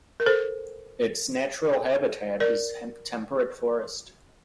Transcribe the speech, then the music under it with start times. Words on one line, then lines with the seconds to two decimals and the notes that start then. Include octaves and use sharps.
Its natural habitat is temperate forest.
0.20 A#4
0.26 A4 C5
2.40 A#4 D5